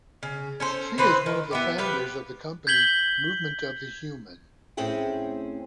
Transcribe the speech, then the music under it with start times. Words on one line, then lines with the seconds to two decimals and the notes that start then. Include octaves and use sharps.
She is one of the founders of the company Movement Of The Human.
0.23 C#3
0.60 C#4 A4 C5
0.98 E3 C4 B4 C5
1.26 D#3
1.51 B3 E4 G4
1.78 F3 B3 G4 B4
2.67 G6 G#6 B6 F#7 G7
4.77 A2 C4 C#4 G#4 G5